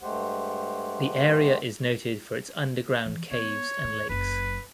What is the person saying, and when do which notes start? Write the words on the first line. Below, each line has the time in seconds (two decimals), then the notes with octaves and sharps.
The area is noted for its underground caves and lakes.
0.02 G2 G#3 A3 G4 C5 F#5
3.05 E3 F3
3.31 B3 C#5
3.84 D#2 G#2
4.09 F#1 F#3 B4